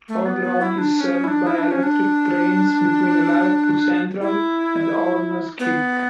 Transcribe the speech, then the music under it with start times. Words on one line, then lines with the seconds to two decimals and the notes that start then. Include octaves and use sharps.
Old Roan is served by electric trains between Liverpool Central and Ormskirk.
0.08 A3
0.25 B3
0.43 B3
0.61 E4
0.78 D4
1.00 C#4
1.24 E4
1.28 D4
1.47 E4
1.58 D4
1.71 C#4
1.83 D4
4.21 E4
5.59 B3